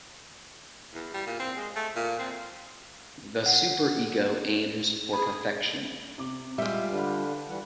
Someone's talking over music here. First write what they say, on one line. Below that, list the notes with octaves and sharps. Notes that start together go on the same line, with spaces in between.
The super-ego aims for perfection.
E2
G3
A#2
C4
G#3
A3
A#2
C4
F#5
G#4 B5
C3 D6
G3 G#3 F4 E5
D3 D4 G4 B4
E3 G3 F#5